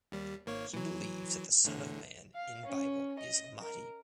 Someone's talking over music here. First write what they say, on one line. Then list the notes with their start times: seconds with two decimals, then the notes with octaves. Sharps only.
He believes that the Son of Man in Bible is Mahdi.
0.12 D#2 G3
0.46 G#1 A#3 C#5
0.73 E3 F#3
1.64 E2 A2 D3
2.34 F5
2.66 C#4
3.19 D#5
3.61 A#4